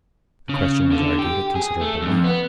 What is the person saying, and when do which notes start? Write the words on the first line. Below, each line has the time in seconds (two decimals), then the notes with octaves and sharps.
The question was argued at considerable length.
0.49 C#3
0.92 D3
1.19 G4
1.55 G#4
1.81 A3
2.02 F2
2.24 B3